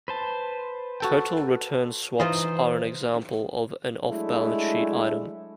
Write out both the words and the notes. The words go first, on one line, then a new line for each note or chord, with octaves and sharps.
Total return swaps are an example of an off-balance sheet item.
B4 C5 A5
F#4 A4 G5
E3 D#4 F4 C5 D#5
F#3 G#3 A3 D4 E4